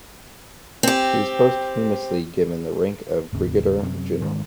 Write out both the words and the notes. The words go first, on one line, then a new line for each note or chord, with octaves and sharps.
He was posthumously given the rank of Brigadier General.
C4 G4
G#1 D#2 C#3
F#2 C3
G#2 D#3